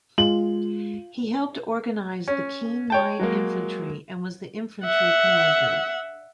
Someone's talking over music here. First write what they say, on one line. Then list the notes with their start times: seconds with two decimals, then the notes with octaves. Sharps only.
He helped organize the Keene light infantry and was the infantry commander.
0.18 G#3 F4 F#7
2.28 C#4
2.90 C#5 G5 A5
3.19 F#3 G#3 A#3
4.85 E5 F#5